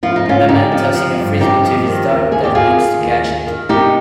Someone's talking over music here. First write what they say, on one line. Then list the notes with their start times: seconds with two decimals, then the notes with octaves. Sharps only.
A man tossing a Frisbee to his dog that leaps to catch it.
0.03 F3 F4
0.16 D#4
0.26 G#2 C#4 F4
0.49 G#2 D#4 G4
0.72 F3
0.94 F3
1.18 G2
1.40 G2 D#4 G4
1.63 F3
1.87 D#3
2.09 D#2
2.32 D#2 G#4
2.44 G4
2.55 D#3 F4 G#4
2.78 D#3
3.01 D#2
3.24 D#2
3.47 D#3
3.69 C3 D#4 G4